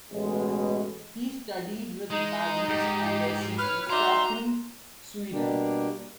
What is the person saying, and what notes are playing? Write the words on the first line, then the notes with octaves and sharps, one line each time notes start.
He studied with Magnus Andersson in Stockholm, Sweden.
A1 B2 G#3
G#3 D#4
G#2 G4
B4 C#5 F6
D#4 F#4 D5 E5 A#5 C6
B2 G3 A#3 D4 G4